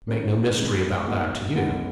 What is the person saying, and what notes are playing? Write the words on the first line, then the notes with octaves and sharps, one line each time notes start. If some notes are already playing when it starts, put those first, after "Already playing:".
I make no mystery about that to you.
D#3 G#3 C#4 E4 A#4
E2 D#3 G#3 B3
B2 A#3 D#4 F#5
F#2 E3 G#3 B3 D#4 F#5